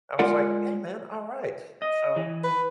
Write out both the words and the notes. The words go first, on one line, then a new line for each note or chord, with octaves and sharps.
I was like, "Hey man, alright!" So
G#3 F4 A#4 D5 F#5
D#5
E3
B4